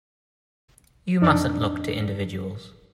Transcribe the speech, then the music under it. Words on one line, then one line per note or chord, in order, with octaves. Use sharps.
You mustn't look to individuals.
F2 D4 D#4